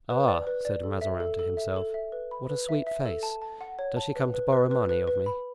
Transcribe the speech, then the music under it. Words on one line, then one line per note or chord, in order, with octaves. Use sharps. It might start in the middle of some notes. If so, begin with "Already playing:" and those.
"Ah!" said Mazarin to himself, "what a sweet face; does she come to borrow money of me?"
B4
D5
B4
D5
A4
E5
A4
A4
E5
A4
E5
B4
B5
B4
E5
E5
A4
A5
A5
F#5
C#5
A5
B4
B4
B4
B4
B4
B4
B5